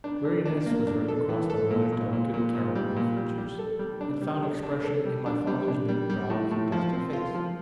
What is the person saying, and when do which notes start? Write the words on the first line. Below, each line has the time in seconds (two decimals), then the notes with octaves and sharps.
Weariness was written across my mother's delicate careworn features, and found expression in my father's knitted brows and dusty face.
0.04 D4
0.25 D4
0.46 D4
0.66 A#3
0.87 D4
1.08 A4
1.29 E3
1.50 A4
1.71 A#2
1.92 A#2
2.13 A#2
2.34 A#2
2.55 A#2
2.75 G3
2.96 A#2
3.17 G3
3.38 G3
3.59 A4
3.79 G3
4.01 D4
4.21 G3
4.43 D4
4.63 D4
4.84 A4
5.06 G3
5.26 D4
5.47 G3
5.68 D4
5.89 G3
6.10 G3
6.30 A2
6.51 A2
6.72 F3
6.93 C4
7.13 F4
7.35 F3